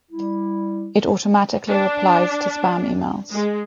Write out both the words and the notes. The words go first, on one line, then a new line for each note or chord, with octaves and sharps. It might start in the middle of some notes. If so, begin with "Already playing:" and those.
It automatically replies to spam emails.
G3 E4
D4
G#3